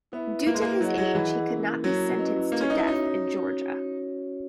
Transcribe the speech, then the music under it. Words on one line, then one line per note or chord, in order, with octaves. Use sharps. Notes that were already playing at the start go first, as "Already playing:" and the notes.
Due to his age, he could not be sentenced to death in Georgia.
B3 E4 B4 E5
A#3
G#3
A#3
F#3 E4 G#4 D#5 F#5
F#3
E3
A#3 C#4 E4 A#4
F#3
C#4 E4 B4 D#5
A#3
C#4
D#4
E4
C#4 D#4 F#4 C#5